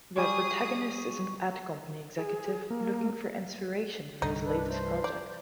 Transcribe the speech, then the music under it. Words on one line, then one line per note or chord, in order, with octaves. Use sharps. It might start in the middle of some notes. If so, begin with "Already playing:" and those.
The protagonist is an ad company executive looking for inspiration for his latest project.
G3 G#4 G#5 C#6 D#6
G#4
A#3
C2 G2 D#3 D#4
D4 A4 B4
A3 D4 B4 C5
E3
D5 G6